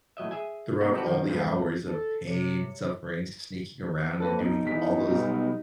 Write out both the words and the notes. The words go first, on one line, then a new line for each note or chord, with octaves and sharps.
throughout all the hours of pain, suffering, sneaking around and doing all those
A2 F#3 D#5 E5
G#4 E5 G#5
C3 A#3 D#4 F#5 G5
C4 D#4 F#4 G4 A4 B4
C3 D#3 F3 G3
C2 G2 F3 A3
A4
C3 C#5
F2 A#3 A4 B4
B1 D#4
E2 G2 B6
B1 G3